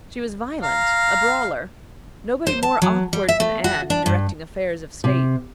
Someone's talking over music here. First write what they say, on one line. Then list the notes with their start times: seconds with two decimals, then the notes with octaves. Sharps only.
She was violent, a brawler. Nobody more awkward than Anne in directing affairs of state.
0.63 F5 A#5
2.47 C5
2.63 A5
2.82 F#3
3.13 G3
3.28 E5
3.40 A3
3.64 F#4
3.90 D4
4.06 G2
5.04 C3